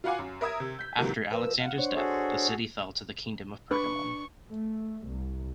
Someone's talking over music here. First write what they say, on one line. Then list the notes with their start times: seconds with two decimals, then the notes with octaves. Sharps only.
After Alexander's death, the city fell to the kingdom of Pergamum.
0.04 F4 F#4 F5 F#5 G#5 D6
0.19 F#2
0.41 A#4 E5 A#5 D#6 E6 G#6
0.60 C3
0.79 G6 B6
0.99 G#2 C3 E3 F#3 A#3
1.32 F3 A#4 B4 E6
1.60 F5 F#5
1.78 D4 C5 C#5
1.96 F#4 G#4 A4
3.71 D4 B4 C#6
4.49 A3
5.06 C2